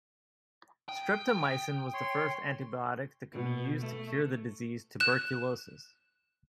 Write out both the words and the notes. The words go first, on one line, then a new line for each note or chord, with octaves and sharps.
Streptomycin was the first antibiotic that could be used to cure the disease tuberculosis.
G5 D#6
C#5 C6
B2
A3
F#6 E7